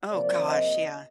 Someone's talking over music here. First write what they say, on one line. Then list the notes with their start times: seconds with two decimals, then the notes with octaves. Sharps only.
Oh gosh, yeah.
0.11 C3 F3 A#3 D5
0.47 D#5